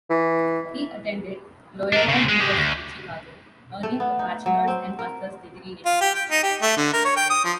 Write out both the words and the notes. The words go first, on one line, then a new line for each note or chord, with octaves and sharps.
He attended Loyola University Chicago, earning a bachelor's and master's degree in business.
E3
D4 A#4
C#3 C4
G#3
G#3 G4
D2
A3
B3
D#4
F#3
C4
A#4
F4
G4
G5
D#4
G4
A3
D3
A#4
C#5
G5
D#6
F3